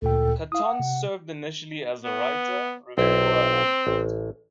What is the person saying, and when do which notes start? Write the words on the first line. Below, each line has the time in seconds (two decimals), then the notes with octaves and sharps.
Catton served initially as a writer, reviewer, and editor.
0.02 D2 A#2 A4 G5
0.52 E4 F5 D#6
0.64 F#5
0.80 C3
2.04 B3
2.98 B1 C4 E4
3.87 A1